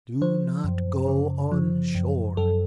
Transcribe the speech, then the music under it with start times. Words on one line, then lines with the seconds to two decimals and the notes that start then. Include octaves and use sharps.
Do not go on shore.
0.21 F3 C5
0.64 F#2
1.08 C#3
1.52 F3
1.95 F#2
2.37 F#2 A4